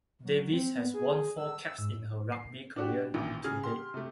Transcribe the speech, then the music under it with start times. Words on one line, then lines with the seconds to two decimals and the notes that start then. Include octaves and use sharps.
Davies has won four caps in her rugby career to date.
0.25 F#3
0.53 C4
0.77 B3
0.94 G#4
1.37 E6
1.78 G#2
2.32 C7
2.76 D4 F#4 G4
3.14 A1 A#2 D#3
3.44 C#3 G#4 F6
3.63 G4 C6
3.94 C3 A3